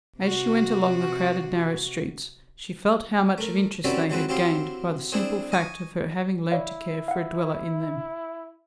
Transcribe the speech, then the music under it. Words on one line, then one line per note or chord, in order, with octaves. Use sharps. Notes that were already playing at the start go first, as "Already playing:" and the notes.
As she went along the crowded narrow streets, she felt how much of interest they had gained by the simple fact of her having learnt to care for a dweller in them.
C3 F#4
A3 A#4
D#3 F#3 G3 C4 C#4 E4
E3 F#3 G#3 C4 B4
F#3 C4 E4 G4 F5 C6
C4 D4 E4 G#4 C5
D#5 G#5 C#6
E4 C#5 D5 F5
F5 F#5